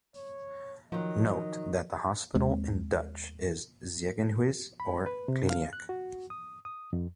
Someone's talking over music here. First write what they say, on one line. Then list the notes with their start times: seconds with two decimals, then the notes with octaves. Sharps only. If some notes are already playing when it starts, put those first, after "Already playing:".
Note that hospital in Dutch is "ziekenhuis" or "kliniek".
0.15 C#5
0.92 D#3 F3 F#3 D#5
2.35 D#2 G#3 C4
4.80 B5
5.06 B4
5.28 C3
5.50 F5
5.73 F#6
5.89 F#4
6.30 D#6
6.65 D#6
6.93 F2